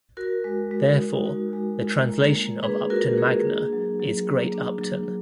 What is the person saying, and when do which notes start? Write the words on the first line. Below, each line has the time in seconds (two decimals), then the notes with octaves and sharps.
Therefore, the translation of Upton Magna is "Great Upton".
0.17 F#4 A#4
0.44 G#3
0.71 G#3
0.99 D#4
1.26 F#4
1.53 G#3
1.81 F4
2.09 A#3
2.36 A#3
2.63 D4 G#4 B4
2.90 F4 F#4 A#4
3.07 F#4
3.18 A#3 G#4
3.45 D4
3.73 F#3
3.99 F#3
4.27 A#3
4.54 D4
4.81 F#3